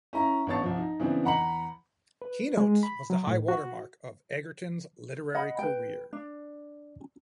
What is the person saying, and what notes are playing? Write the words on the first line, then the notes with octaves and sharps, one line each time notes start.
"Keynotes" was the high-water mark of Egerton's literary career.
C#4 E4 A#5
A1 G2 B3 C#5 A5 A6
C2 F3
D#4
C#3 E3 B3 C4 D4
E2 F#5 A#5 B5 C#7 F#7
B4
G#3
B5
F#3
A2
F#4
D#5 F#5 B5
B4 G5
D4